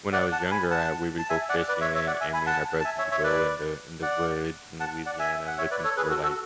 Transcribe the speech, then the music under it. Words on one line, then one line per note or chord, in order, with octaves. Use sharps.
when I was younger, I we would go fishing, and and me and my brothers would go in the in the woods in Louisiana looking for, like,
D5 F#5
F#5 A5
G#5 B5
F#5 A5
A5
E5 G#5
D5 F#5
B4 D5
C#5 E5
C#5 E5
D5 F#5
E5 G#5
G#5 B5
F#5 A5
A5
E5 G#5
C#5 E5
C#5 E5
B4 D5
D5 F#5
F#5 A5
D5 F#5
E5 G#5
F#5
C#5 E5
B4 D5
A4 C#5
G#4 B4
F#4 A4
F#4 A4